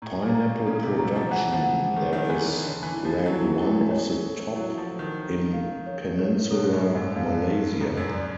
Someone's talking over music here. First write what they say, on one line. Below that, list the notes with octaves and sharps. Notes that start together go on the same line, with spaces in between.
Pineapple production there is ranked one of the top in Peninsular Malaysia.
A2 A#5
A#2
A#5
C#3 A4
C3
F#3 A#5
F3
E3 F#5
F3
F#5
D#3 A4
D#3
E3 A4
D#3
D3 C#5
E3
E4
F3
F#3 E4
E4
C#5
A4
F#3 E4
F3
A4
D#3
A4
F5
C#5
C#5
B2 A4
G#2
G2
A4
F#2
F#2 F5
A4
F2 A#5
F#2
D5